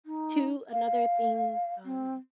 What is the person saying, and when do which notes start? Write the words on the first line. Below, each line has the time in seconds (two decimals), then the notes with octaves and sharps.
too, another thing, um,
0.06 D#4
0.72 F5
1.85 C4